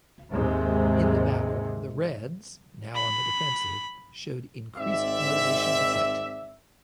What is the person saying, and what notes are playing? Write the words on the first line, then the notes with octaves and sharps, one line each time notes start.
In the battle, the Reds, now on the defensive, showed increased motivation to fight.
D#2 G#2 C3 D#3 G#3
B5
G#1 G#2 C4 D5 E5